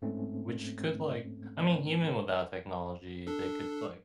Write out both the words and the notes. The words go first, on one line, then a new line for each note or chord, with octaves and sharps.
which could, like I mean, even without technology, they could, like,
G#2 A3 C4 C#4
D4 A4